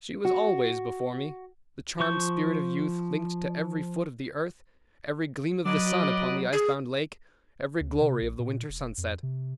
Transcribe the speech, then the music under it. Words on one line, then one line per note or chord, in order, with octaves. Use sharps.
She was always before me,—the charmed spirit of youth, linked to every foot of the earth, every gleam of the sun upon the ice-bound lake, every glory of the winter sunset.
F#4
F3 C#6 G6
F#3 B4 D5 D#5
G#4
D2
C3
A#1
A#2
E1
F2
C3